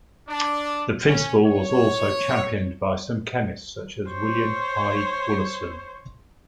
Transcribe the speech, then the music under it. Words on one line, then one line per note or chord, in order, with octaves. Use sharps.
The principle was also championed by some chemists such as William Hyde Wollaston.
D4
C#4
C#5
C5 C#5